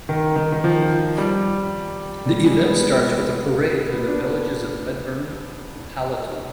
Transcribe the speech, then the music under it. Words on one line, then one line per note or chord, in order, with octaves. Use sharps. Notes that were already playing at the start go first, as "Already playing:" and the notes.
The event starts with a parade through the villages of Medbourne and Hallaton.
D#3
D#3
D#3
F3
G3
G3
G#3
B3
B3
D4